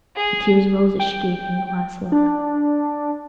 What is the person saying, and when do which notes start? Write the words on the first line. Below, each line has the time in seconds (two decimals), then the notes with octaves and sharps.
The tears rose as she gave him the last look.
0.16 G#4
1.00 G5
2.12 D4